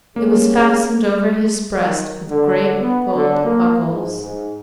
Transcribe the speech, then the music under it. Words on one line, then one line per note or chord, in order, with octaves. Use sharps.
It was fastened over his breast with great gold buckles.
G3 A#3 C#4 G#4
D#3
D3
B3
D3
A#3
G#2
G#2